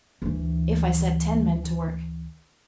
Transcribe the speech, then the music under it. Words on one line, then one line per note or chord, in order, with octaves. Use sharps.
"If I set ten men to work."
D2 E3